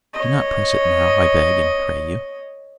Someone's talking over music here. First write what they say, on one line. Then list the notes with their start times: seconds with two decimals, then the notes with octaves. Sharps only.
'Do not press it now, I beg and pray you.
0.14 C#5 D#5